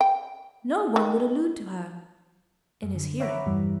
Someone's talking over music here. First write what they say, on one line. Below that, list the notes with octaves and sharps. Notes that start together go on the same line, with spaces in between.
No one would allude to her . . . in his hearing.
G5
D#3
F#2
D3
C#5 E5 F#5 A#5 B5 D6
E2 G2 E3 G3